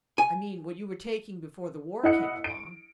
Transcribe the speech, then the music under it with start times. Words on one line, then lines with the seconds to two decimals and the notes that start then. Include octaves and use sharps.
I mean what you were taking before the war came along.
0.18 G#5
2.03 E4 D#5 F#5 C#7
2.44 D7